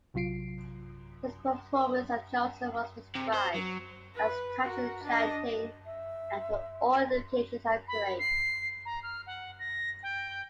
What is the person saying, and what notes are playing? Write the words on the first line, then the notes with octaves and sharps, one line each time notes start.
His performance as Jolson was described as "touching, enchanting, and to all indications, accurate".
A#1 C3 F#3 F4 C7 D7
C3
C5
F#3
B4
F#4 A#4
D4 D#5
E5
B5
C7
A#5
F6
F#5
A#6
G5